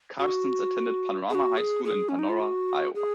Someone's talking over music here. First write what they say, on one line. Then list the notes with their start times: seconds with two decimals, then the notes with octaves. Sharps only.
Carstens attended Panorama High School in Panora, Iowa.
0.19 F#4
1.30 G#4
1.35 F#4
1.58 G#4
1.85 G#4
2.09 C#4
2.19 D#4
2.29 F4
2.40 F#4
2.95 G#4